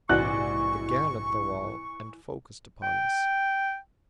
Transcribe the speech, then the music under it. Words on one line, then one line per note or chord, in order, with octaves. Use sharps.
It began at the wall and focused upon us.
A#1 G#2 C3 E3 F#4 D5 C#6 F#6
G5